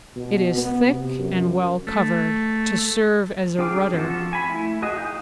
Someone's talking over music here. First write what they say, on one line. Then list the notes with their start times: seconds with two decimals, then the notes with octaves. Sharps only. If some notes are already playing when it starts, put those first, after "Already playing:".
It is thick and well covered, to serve as a rudder.
0.16 B2
0.57 B3
0.87 C3
1.19 F#2
1.87 A3
3.59 D4 G#4 G5 D6 F6
3.93 F3 C4 F4 F#4 A4
4.33 G#5 B5
4.49 A3 E4
4.82 F#4 G#4 D#5
4.96 D#4 F5 G5 D#6 G6